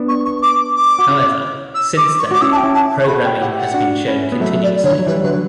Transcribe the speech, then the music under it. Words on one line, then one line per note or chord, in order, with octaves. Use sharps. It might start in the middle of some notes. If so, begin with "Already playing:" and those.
However, since then programming has been shown continuously.
Already playing: B3 D4
C#6
C#6
D6
D6
F#4
C#4 E4
E6
D6
C#6
F#4 D6
C#4 E4 E6
A5
G5
C#4 E4
A5
C#6
F#4 A4 B5
G5
E4 G4 F#5
F#5
D4 F#4
C#4 E4
B3
F#3 A3 E5
D5
D3 C#5
E3
F#3
E3 G3 B4
D3 F#3 B4